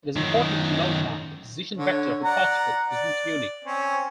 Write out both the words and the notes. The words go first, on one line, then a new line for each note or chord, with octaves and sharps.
It is important to note that the position vector of a particle isn't unique.
F#2 D#3
D3 C#5
D5 F#5 A#5
D5
C4 C#4 C5